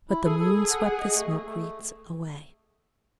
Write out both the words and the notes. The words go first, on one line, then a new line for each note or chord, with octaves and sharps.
But the moon swept the smoke-wreaths away.
E4
G#4 A4
A4
A4
F#5
F#5
D#5
A3
A3
A3